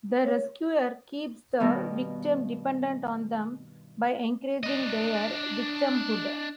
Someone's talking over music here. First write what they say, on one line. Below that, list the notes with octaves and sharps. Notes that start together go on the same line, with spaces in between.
The rescuer keeps the victim dependent on them by encouraging their victimhood.
C#5
G2 B2 D#3 B3 F5
D4 D#5